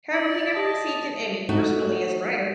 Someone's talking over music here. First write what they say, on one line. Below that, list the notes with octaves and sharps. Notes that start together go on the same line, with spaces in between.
However, he never received an Emmy personally as writer.
D5
D#5 A5
A3 D#4 F#4